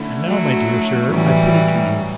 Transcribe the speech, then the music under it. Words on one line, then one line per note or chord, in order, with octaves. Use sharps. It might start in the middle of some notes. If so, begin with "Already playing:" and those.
And now, my dear Sir, I put it to you.
Already playing: D3 A3 C#4 E4
F#3 A3
A2 E3 F#3 G3 C#4 E4